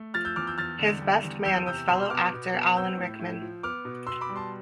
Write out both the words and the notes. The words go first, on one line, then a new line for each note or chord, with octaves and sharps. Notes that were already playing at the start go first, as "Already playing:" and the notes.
His best man was fellow actor Alan Rickman.
Already playing: A3
F3 F6 A6
E6 G6
E2 D6 F6
E6 G6
E2 F6 A6
D3
G3
E2
E2 E6 G6
C3 E6 G6
B2 C6 E6
B3 D6 F6
B2
B3
C4 E6 G6
A2
A2
F3
B3 D6 F6
B2
B2 C6 E6
B5 D6
G3
A5 C6